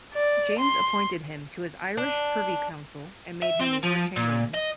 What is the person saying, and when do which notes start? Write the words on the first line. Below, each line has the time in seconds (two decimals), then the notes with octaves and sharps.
James appointed him to his Irish Privy Council and made him Lord Chamberlain.
0.15 D5
0.59 C6
1.97 D4
3.42 E5
3.60 C4
3.83 F3
4.16 A#2
4.54 D#5